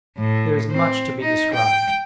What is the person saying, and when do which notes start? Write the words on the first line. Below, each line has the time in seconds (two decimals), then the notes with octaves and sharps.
There is much to be described.
0.18 A2
0.70 C4
1.21 D#4
1.54 G5